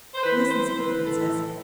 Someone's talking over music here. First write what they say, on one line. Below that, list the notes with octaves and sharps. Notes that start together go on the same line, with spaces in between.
'Listen!' said the Princess.
C5
E3 B4
C5
E3
B4
A2 A4